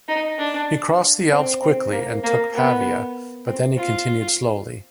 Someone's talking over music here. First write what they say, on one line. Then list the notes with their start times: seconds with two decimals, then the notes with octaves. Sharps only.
He crossed the Alps quickly and took Pavia, but then he continued slowly.
0.08 D#4
0.38 D4
1.31 C4
1.62 C4
1.92 A#3
2.24 A#3
2.54 B3
3.46 C4
3.77 F4